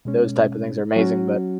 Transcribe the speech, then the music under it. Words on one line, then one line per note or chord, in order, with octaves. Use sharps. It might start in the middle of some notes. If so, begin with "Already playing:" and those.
those type of things are amazing, but
B2 G#3 C#4
F#3 C#4 F#4